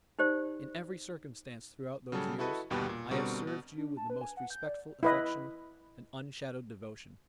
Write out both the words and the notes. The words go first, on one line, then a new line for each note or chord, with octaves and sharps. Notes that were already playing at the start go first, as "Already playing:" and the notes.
In every circumstance throughout those years I have served you with the most respectful affection and unshadowed devotion.
D#4 G4 C5 D5
C#3 F#3 G3 A4
E4 F#4 A4 B4 D#5
G1 D#2 B2 G3 G4 B4
A#2
B2 D3 G3 C4 F#4 A#4
B2
D4
A5
B4
G#5
F#5
G6
D5
E4 B4 D#5